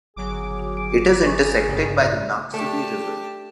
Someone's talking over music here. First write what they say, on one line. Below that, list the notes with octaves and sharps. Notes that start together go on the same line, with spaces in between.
It is intersected by the Noxubee River.
G1 F#3 G#4 D6
D7
G#4 C#6 A6
A#4
A#1 G2 C#3
A2 E4 D5
A3 D4 G4 A5